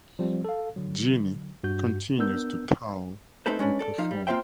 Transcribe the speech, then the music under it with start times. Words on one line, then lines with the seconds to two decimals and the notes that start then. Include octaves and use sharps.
Jeannie continues to tour and perform.
0.19 F3 G3 C4
0.45 A4 F5
0.76 D3 F#3
1.64 G2 F#4 G6
2.19 B3 D4 A#4 E6 G6
3.46 A3 C4 D#4 A4 B4 C5
3.59 G#3 C#4 D4 B4
3.79 A4 D5
3.98 F3 D#4 F5
4.11 G3
4.27 A#3 C4 F4 C5 E5 G5